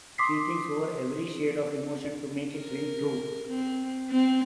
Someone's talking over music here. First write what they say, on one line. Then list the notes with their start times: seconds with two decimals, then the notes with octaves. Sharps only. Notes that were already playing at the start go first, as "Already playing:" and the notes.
She thinks over every shade of emotion to make it ring true.
0.18 C6 D6 D#6 B6 C7
2.56 A#4
3.48 C4
4.11 C4